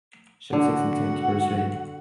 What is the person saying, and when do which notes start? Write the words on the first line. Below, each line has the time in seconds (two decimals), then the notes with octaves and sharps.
She would take some time to persuade.
0.53 D3 F#4 F#5